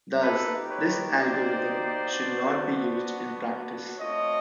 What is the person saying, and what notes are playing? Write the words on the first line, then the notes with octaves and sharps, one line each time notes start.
Thus this algorithm should not be used in practice.
A#3 D#4 G4 A4 B4
B4 C#5
C5 D5
B3 D4 F#4
A3 C4 F4 C#5 D#5